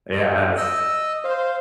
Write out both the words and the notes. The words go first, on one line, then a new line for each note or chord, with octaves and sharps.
Yeah, it's
D#5 E6
C5 F5